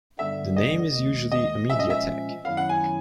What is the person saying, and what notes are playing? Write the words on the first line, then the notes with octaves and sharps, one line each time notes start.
The name is usually a media tag.
G2 D3 G3 B3 E5
D#5
D#2 D#3 G#3
D#5
A#2 F3 G#3 C#4 E5
D#5
E5
F#2 D#3 F#3 B3 E4 F5
F#5
G#5